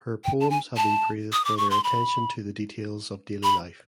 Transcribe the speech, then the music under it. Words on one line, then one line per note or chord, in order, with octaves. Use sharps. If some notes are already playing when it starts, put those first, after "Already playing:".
Her poems have been praised for their attention to the details of daily life.
G5
A5
G#5
A5
D#6
D6
C#6
C6
B5
B5